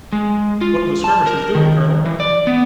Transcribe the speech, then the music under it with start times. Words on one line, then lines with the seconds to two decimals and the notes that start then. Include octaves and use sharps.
"What are the skirmishers doing, Colonel?"
0.12 G#3
0.61 F4
1.04 A5
1.27 A#4
1.55 D#3
2.05 E3
2.20 D5
2.47 B3